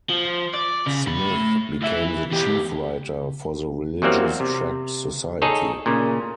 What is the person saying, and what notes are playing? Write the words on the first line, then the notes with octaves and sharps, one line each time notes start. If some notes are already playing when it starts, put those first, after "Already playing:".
Smith became the chief writer for the Religious Tract Society.
F3
D5
C#3
A3 B5
E3 E5
E2 G4
E2 F#3 G3 A#3 C4
C3
D#4 G#4 A4 C#5
A#2 C#3